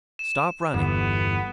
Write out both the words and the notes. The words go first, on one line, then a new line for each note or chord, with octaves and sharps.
Stop running.
E7
G1 E2 B3